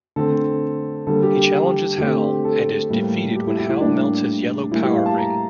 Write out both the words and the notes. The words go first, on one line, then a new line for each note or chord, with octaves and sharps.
He challenges Hal and is defeated when Hal melts his yellow power ring.
D3 A3 C4 A4
D3 G3 A#3 A4
G4
G4
D3 A3 C4 G4
A4
A2 G3 A#3
G4
E4
E4
E4
A2 G3 A#3 D4
A2 G3 A#3 E4
G4
F5
A5
A#5